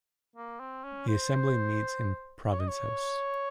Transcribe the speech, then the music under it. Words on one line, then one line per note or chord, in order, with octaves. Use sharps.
The assembly meets in Province House.
A#3
C4
C#4
C5
C#5
D#5
C#5